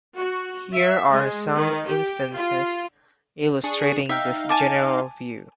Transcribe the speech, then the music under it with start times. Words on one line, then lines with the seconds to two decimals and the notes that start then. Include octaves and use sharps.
Here are some instances illustrating this general view.
0.16 F#4
0.74 E5
1.11 G#3
1.55 D#3
1.87 G4
2.35 F4
3.64 D4 G#4 C#6
4.09 D#4 E5 F5 G5
4.49 G#5 A5 D6